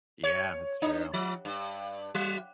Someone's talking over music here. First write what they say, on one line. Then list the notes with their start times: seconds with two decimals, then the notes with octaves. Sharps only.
Yeah, that's true.
0.23 C#5
0.82 D4
1.13 F3
1.45 G2
2.14 F#3